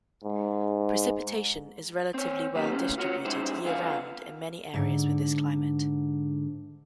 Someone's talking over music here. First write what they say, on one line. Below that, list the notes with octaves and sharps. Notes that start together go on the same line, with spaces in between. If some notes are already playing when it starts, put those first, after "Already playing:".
Precipitation is relatively well distributed year-round in many areas with this climate.
G#2
C4 C#5
F#3 A#3 B3 C#4 D#4 G4
A2 C#3 C#4
F4 F#4 C5 C#5
G3 C#4 D#4 E4 G#4 C5
F2 D3 B3 F4 F5 G#5
G#2 D3